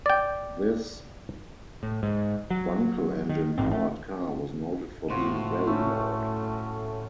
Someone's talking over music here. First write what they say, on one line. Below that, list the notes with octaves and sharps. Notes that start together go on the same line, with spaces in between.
This Wankel engine-powered car was noted for being very loud.
D5 G5
A2
G#2
F#3
D#3
A1 G#2 C4
A3
A2 F4 F#4 C5
A3 C#4